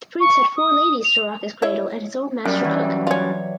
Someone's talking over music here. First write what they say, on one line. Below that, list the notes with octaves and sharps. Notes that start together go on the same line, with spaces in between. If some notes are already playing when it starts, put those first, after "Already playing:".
The prince had four ladies to rock his cradle and his own master cook.
C#6
D#6
F7
E4 C#5 E5
F#2 G3 A#3
E3 F#3
C#4 F4 C#5 D5